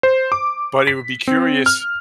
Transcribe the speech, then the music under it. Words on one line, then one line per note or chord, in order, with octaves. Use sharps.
but it would be curious
C5
D6
B6
C4
F6